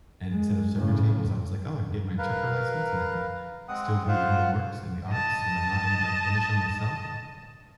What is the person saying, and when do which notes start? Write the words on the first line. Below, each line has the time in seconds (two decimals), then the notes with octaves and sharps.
and instead of serving tables, I was, like, "Oh, I can get my interpreter license, and I can still be in the works, in the arts when I'm not in, like, in a show, myself,
0.31 G#3
0.77 A2 C#3
2.18 A#4 B4 F5
3.69 G#3 C4 F#5 D#6
4.08 F4 C5 F5 F#5
5.09 D#5 A5